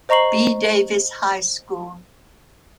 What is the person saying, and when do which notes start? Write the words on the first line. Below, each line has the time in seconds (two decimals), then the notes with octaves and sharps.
B. Davis High School.
0.09 C5 D#5 A#5 C#6 C7 F#7